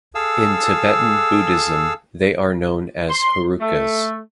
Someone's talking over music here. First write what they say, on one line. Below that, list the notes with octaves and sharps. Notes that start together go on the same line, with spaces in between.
In Tibetan Buddhism, they are known as Herukas.
G#4 A4 F5 E6
C6
A3